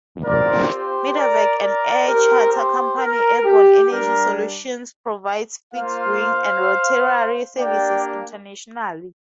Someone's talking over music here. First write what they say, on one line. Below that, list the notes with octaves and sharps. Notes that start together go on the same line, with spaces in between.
Medevac and air charter company Airborne Energy Solutions provides fixed-wing and rotary services internationally.
C4 F4 A#4 D5
G4 C5
A#4 D5
A#4 D5
C4 G4 A#4
G4 C5
A#4
G4
G3 D4 G4 A#4
A#3 F4 C5 F5
A#3 D4 G4 D5 G5